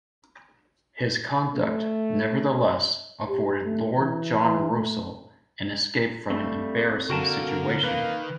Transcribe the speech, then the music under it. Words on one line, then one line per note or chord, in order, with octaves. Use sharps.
His conduct, nevertheless, afforded Lord John Russell an escape from an embarrassing situation.
A3
G4
A3
E3
E3
A3
G3 A3 C4 A4
D3 A#3 F#4 A#4 G5 A5
D#3 A#3 B4